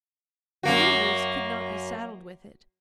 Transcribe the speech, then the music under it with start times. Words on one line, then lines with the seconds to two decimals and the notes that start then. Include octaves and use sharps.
The weavers could not be saddled with it.
0.63 F#2 A#3 F#4